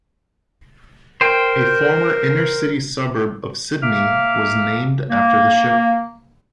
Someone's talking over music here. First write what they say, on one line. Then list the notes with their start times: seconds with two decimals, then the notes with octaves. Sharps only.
A former inner-city suburb of Sydney was named after the ship.
1.21 A#4 C5 G5
3.82 A#3 E5 F5 D6 F6
5.10 A#3